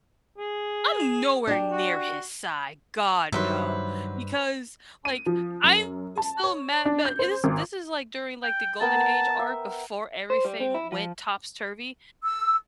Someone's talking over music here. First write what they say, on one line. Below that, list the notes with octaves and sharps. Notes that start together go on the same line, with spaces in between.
no, I'm no I'm nowhere near his side. God no! Because, like, I'm still mad but it is this is like during, like, the Golden Age arc before everything went top's-turvy,
G#4
D4 G4
F#4
G2 D#3 F#3 B4 C5 E5
D#7
F3
F#2
A5
C#5
D4
G6
C5
G#1
G5
B3 A#4 G5 A5
E5
C5
G3
C4
E4
F3
E6